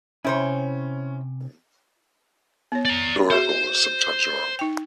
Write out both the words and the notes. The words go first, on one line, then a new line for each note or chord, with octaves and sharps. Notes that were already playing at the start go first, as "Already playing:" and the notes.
The oracle was sometimes wrong.
C3 C#4 E4 C5 C#5 G5 G#5
B3 C#5
D5 A#5
F#4 G#4 C5 E5
D#4 G5